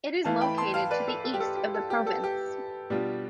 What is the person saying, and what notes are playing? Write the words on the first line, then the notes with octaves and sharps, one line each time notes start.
It is located to the east of the province.
E3 A3 E4 F5 A5
G5 B5
A5 C6
F5 A5
B4 D5
A4
A4
G4
A4
G4
A4
G4
A4
G4
B2 G3 D4 F4